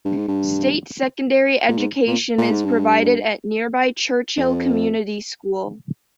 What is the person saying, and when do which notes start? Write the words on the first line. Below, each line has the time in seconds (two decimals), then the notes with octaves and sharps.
State secondary education is provided at nearby Churchill Community School.
0.05 G2
0.17 G#2
0.28 G2
1.69 A#2
1.78 G#2
2.07 A#2
2.38 A#2
2.51 G#2
2.65 G2
4.37 F2